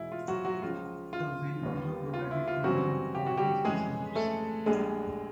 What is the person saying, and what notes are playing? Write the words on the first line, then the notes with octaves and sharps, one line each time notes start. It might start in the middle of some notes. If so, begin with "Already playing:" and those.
The will also provided freedom for his slaves.
Already playing: E2 B2 G#3 E4
F4
F#3 F#4
F#3 F#4
C#2 C#3 F3 F4
F4
D#2 D#3 G3 B3
F4
E4
F4
A1 G2 E3 F#3 G3 C4 F#4
G4
F#4
G3 G4
F2 C#3 E3 G#3 G#4
A3 A4
A#1 A#2 G3 G#3 G#4